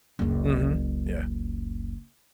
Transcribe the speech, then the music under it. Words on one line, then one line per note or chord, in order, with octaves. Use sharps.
Mhm. Yeah.
F#1 C#2